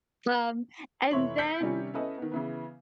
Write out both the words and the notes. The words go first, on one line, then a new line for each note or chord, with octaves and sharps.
Um, and then
F1 E3 E4 C#5 C6 F#7
E6 G6 B6 C#7 F#7
C3 D#3 G3 C#4
C#4 E4 A4 B4 D#5
D#3 B3
C#3 E3 B3